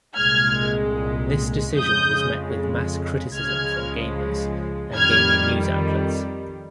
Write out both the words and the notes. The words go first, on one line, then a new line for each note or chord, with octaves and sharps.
This decision was met with mass criticism from gamers and gaming news outlets.
C2 A#2 G#3 F6 G#6
F2 C#3 G#3 D#6 G6
C#2 C#3 F3 G#3 F6 G#6
F2 D#3 G3 F6 G#6